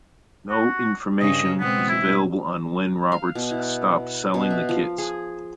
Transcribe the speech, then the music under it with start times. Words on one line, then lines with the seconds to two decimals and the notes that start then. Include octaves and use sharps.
No information is available on when Roberts stopped selling the kits.
0.50 F#4
1.20 G2 C#3 D#5
1.60 B2 G#3 B3 C4
1.89 E4
3.12 F5
3.35 B2
3.51 E4
4.34 B2
4.50 E5
4.69 F3
4.98 G#4